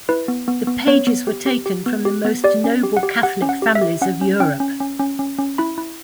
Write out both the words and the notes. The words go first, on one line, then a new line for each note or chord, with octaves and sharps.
The pages were taken from the most noble Catholic families of Europe.
E4 B4
B3
B3
B3
B3 C#5
B3
G4
G4
G4
B3
G4
B3
G4 D5
C#4
G4
F#5
G4
G4 F#5
C#4
F#5
G4
E5
G4
C#4 F#5
C#4
C#4 G5
C#4
C#4
C#4
C#4
C#4
E4 B5
E4